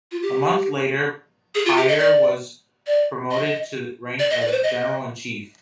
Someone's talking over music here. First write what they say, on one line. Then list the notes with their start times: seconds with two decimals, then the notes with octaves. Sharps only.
A month later Piar was promoted to the rank of General-in-Chief.
0.12 F4
0.22 G4
1.55 G#4
1.66 F4
1.77 G4
1.88 D#5
1.99 D5
2.87 D5
3.31 D#5
4.19 D5
4.30 D#5
4.41 D5
4.48 B4
4.52 C5
4.63 D#5